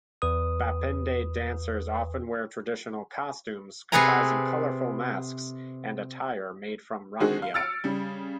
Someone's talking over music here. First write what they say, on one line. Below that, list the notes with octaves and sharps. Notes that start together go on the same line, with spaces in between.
Bapende dancers often wear traditional costumes comprising colorful masks and attire made from raffia.
E2 B4 D#6
C3 G#4 A4 B4 G#5 A#5
D3 D#3 G#3 C4 F#4 G#4
F5
E6 F6 A6 C#7 D7
C#3 G3